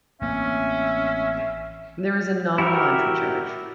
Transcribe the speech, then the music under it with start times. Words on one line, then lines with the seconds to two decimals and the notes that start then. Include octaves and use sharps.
There is a nominal entry charge.
0.22 A1 A#3 C4 C#4 E5
2.58 E4 F#4 G4 A#4 E5